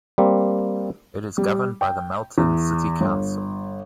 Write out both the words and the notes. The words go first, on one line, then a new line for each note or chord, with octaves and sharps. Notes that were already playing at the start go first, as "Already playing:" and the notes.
It is governed by the Melton City Council.
G3 A#3 C4
G3
G5
E2
G1